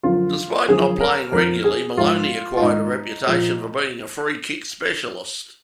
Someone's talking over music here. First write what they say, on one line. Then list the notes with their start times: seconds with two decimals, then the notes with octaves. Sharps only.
Despite not playing regularly, Maloney acquired a reputation for being a free kick specialist.
0.03 F#2 D3 F3 F4
0.68 F#2 D3 F3 G#4
1.01 A#4
1.32 F2 F3 A#4
1.64 G#4
1.97 G#2 F3 F4
2.57 F4
2.61 G#2 D#3 D#4
3.27 A#2 F3